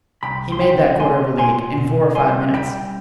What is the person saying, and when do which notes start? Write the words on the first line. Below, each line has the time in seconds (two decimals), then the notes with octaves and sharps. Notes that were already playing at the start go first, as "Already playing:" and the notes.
He made that quarter of a league in four or five minutes.
0.23 C2 G5 B5
0.52 C6
0.61 B2 G5 B5
0.99 G#3 G#5 C6
1.38 B2 G#5 C6
1.77 B2
2.15 G3 G#5 C6
2.54 G3 G5 B5